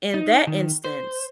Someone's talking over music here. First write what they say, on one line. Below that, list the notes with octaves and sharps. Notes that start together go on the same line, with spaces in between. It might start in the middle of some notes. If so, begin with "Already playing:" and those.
in that instance,
D#4
D#3
C5